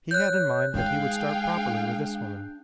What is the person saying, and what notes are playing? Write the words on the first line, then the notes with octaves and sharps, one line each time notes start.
He had in mind that he would start properly with this woman.
C#5 F#6 G6
G#3 D#4 G#4 F5 G5
D4